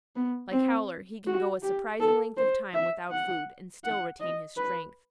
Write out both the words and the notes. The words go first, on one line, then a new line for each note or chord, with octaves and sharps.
Like Howler he can go a surprising length of time without food and still retain his strength.
B3
C4
F#4
G4
A4
C5
E5
F#5
F#5
D#5
B4